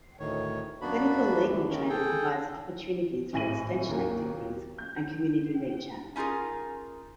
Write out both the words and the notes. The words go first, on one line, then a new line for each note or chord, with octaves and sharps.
Clinical legal training provides opportunities for extension activities and community reach out.
D2 A2 D#3 C#5
F#2 A#3 B3 D4 F#4 B5
D2 D3 E3
D#3 G#3 A#3 C#4
G#4 A4 G5
G#1 A2 G#5 A#6 D#7 F#7
D#2 F#3 A#3
G6
C#4 D#4 F4 G#4 A#4